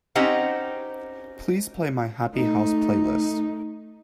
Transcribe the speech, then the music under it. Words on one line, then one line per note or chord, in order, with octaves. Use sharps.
Please play my Happy House playlist.
C4 C#4 D#4 G4 C5 F#5
A3 D#4